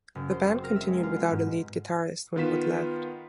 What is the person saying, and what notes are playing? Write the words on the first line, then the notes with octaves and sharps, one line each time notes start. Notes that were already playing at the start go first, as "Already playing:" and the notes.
The band continued without a lead guitarist when Wood left.
F#1
C5
C4
A#4
E5
G#3
F4
B3
G#2
D#3 B3 F4 B4 B6 E7